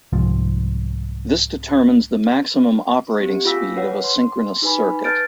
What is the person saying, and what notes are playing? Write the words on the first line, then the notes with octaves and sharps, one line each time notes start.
This determines the maximum operating speed of a synchronous circuit.
C2 G#2 F3
A#3 C4 G4
F4 G#4 G5 E6 A#6 B6
G#4 B4 C#5 F#5
C6
D#4 G#4 B4 G#5 B5
B4 A5 F6 G6 A6 D7